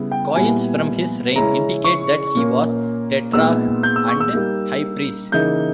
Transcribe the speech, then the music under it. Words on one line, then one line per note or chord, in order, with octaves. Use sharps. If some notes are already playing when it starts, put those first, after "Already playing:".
Coins from his reign indicate that he was "tetrarch and high priest".
Already playing: C#3 G3 B3 E4
G5
A#2 G3 B3 E4 G#5
C#3 G#3 C#4 E4 A#5
C#6
A#2 A#3 C#4
A#2 G#3 B3 D#4 E6
G6
E6
C#6
E6
G3 A#3 D#4
C#3 E3 A#3 D#4 G6